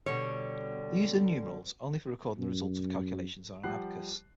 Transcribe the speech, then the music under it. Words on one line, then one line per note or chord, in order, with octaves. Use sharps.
They used their numerals only for recording the results of calculations on an abacus.
B2 D3 G3 C#5
F#2
F3 G3 G4 F#5 F#6 C7